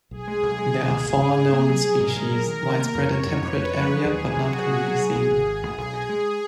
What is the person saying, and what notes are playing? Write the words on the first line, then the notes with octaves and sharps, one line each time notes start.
There are four known species, widespread in temperate area but not commonly seen.
B1 G#4
G#3
B1
G#3 G#4
D#3
D#2
G#1
G#2
G#2
A#3
F#3
F#3
G#2 A#4
G#2
F#3
D#3 A#4
D#3
A#3
F2 C#5
G#3
F2
F2 B4
F2
F3
F#3 G#4
D#2
D#3
B1 F#4
F#3
A#2
F#3 G#4
F#3
B1
G#1 G#4
G#1
G#1
B1 G#4
B2
G#3